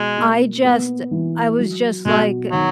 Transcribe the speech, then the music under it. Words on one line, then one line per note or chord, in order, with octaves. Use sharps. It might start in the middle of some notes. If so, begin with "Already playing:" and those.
I just I was just, like, eh,
Already playing: B2 G#3
A#3
B3
E3
F#3
B2 G#3
D#3 F#3